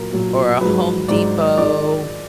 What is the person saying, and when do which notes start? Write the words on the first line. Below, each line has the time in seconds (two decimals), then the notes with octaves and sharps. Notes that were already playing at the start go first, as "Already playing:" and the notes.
or a Home Depot
Already playing: A#2 F#3 A#4
0.12 A#2 F#3
0.61 G#2 F#3 B4
1.08 G#2 F#3 D5
1.58 D#3 G#3 D5